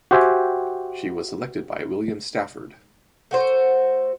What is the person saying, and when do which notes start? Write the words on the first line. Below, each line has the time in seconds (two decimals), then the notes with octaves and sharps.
She was selected by William Stafford.
0.11 F#4 G4 C5 E5 G5 G#5
3.31 A3 F#4 C5